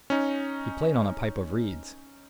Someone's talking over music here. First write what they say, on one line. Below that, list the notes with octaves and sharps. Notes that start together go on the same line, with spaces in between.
He played on a pipe of reeds.
C#4 D#4